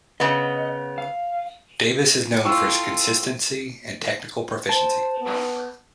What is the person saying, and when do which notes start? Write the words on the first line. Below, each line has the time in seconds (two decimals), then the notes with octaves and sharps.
Davis is known for his consistency and technical proficiency.
0.20 C#3 B3 D#5
0.98 F5
2.45 E4 F4 A4 G5 C#6 E6
4.69 C5 A5
5.20 B3